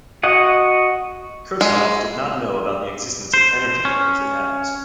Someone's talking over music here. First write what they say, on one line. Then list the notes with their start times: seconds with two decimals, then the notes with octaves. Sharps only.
Kirchhoff did not know about the existence of energy levels in atoms.
0.23 F#4 D#5 F#5
1.61 G#3
3.34 C5
3.85 C#4